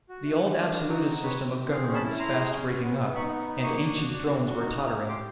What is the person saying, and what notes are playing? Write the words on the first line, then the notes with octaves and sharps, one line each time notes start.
The old absolutist system of government was fast breaking up, and ancient thrones were tottering.
F#4
A3
A3
D4
F#4
D#4
C4
C4 B4 C#5
C4
C4
G#4 F5 G5
C#4
A5 B5
E4
E4 A#5 C6
G#4
C#4
B3
B3
B3
D#4 B5 C#6
B3
D#4
A#3 C#6 D#6
D4
F#4
D4
F#4
F#4
D#4
G4
G4
G4 C6 D6